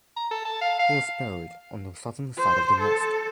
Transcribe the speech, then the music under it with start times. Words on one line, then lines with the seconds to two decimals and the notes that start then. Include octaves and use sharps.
He was buried on the southern side of the mosque.
0.16 A#5
0.31 A4
0.45 A5
0.61 F5
0.79 F5
2.37 C5
2.80 A4